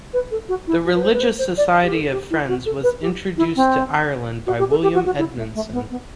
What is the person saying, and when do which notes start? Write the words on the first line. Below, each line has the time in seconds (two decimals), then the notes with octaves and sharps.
The Religious Society of Friends was introduced to Ireland by William Edmundson.
0.14 B4
0.31 A4
0.49 F#4
0.67 E4
0.85 F#4
0.95 B4
1.03 C5
1.13 B4
1.21 C5
1.39 C5
1.57 D5
1.83 G4
1.94 A4
2.12 G4
2.30 E4
2.48 F#4
2.66 A4
2.83 B4
3.02 G4
3.37 E4
3.56 C4
4.47 F#4
4.59 G4
4.71 A4
4.83 G4
4.94 F#4
5.06 F#4
5.18 E4
5.36 A3
5.55 A3
5.73 B3
5.90 B3